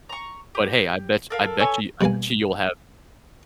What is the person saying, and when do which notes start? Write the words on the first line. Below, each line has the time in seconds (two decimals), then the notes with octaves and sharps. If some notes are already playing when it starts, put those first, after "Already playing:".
But hey, I bet I bet you I bet you you'll have
0.09 A#5 C#6
0.55 G4
1.30 A4 A#4 F5
1.60 A4 B4 C#5 G#5
2.01 B2 G3 A#3 F5 G#5